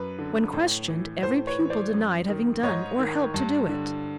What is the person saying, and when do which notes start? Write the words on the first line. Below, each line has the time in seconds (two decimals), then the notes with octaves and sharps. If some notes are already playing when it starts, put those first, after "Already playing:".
When questioned every pupil denied having done or helped to do it.
Already playing: F#2 B4
0.19 D3
0.53 A2
0.88 E3
1.23 A2 C5
1.47 B4 C#5
1.59 E3
1.70 C5 D5
1.94 F#2
2.28 D#3
2.63 G#2 C#5 D#5
2.99 D#3
3.34 G2
3.69 D3